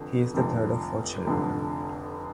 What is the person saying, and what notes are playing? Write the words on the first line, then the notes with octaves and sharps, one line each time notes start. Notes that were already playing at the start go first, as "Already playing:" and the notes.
He is the third of four children.
Already playing: F1 F2 D3
F1 F2 D3
F1 F2 D3